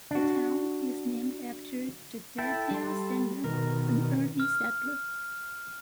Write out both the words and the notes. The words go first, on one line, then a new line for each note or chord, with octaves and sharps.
The town is named after Jedediah Sanger, an early settler.
D4 F#4
E4 A4 G5 A5
G3 C6
B2 D#3 A#4
F6